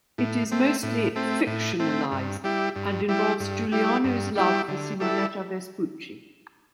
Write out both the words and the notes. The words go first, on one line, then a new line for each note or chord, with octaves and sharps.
It is mostly fictionalized and involves Giuliano's love for Simonetta Vespucci.
A2
A3 C4
A2
A3 C4
A2
A3 C4
G2
G3 E4 G4
G2
G3 E4 G4
G2
G3 E4 G4
G2
G3 E4 G4
D3
G3 E4 A4